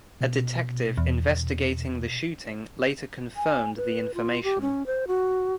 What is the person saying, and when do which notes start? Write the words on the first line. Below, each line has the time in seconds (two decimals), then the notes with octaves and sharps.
A detective investigating the shooting later confirmed the information.
0.21 B2
0.98 E2
3.36 G#5
3.77 B4
4.14 F4
4.43 G4
4.61 C#4
4.86 C5
5.07 F#4